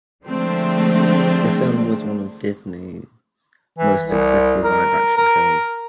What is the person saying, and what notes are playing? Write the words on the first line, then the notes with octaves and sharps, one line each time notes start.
The film was one of Disney's most successful live-action films.
D3 F3 G#3 A3 C4 D4
E3
C2
A#4
A#4